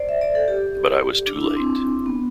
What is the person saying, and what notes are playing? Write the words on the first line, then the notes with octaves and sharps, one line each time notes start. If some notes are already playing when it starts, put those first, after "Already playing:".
But I was too late.
Already playing: C5 D5
E5
D5
A4
G4
D4
E4
D4
C4
B3